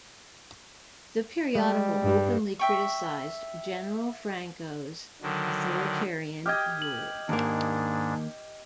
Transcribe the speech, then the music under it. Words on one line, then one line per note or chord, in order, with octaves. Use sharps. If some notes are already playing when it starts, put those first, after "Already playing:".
The periodical openly criticized General Franco's authoritarian rule.
G3 G#3
G2
E5 G5 C#6
D3 D#3 F#3
G4 D#5 G5 F6 G#6
F#7
D#2 G#2 A#3 D4